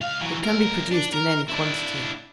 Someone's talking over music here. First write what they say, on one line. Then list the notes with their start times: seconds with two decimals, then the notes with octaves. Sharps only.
It can be produced in any quantity.
0.01 C#2 F5
0.20 E3 F#3
0.43 B1 A#4
0.92 D4
1.13 A#4
1.49 D4 E4